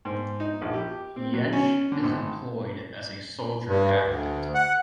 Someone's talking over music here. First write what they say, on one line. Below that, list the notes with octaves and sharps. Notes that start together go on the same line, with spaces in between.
Jentsch is employed as a soldier athlete.
G#2
D#4
A#1
G4
C4
F#3
C#4
D3
G#1
G2
D2
F#5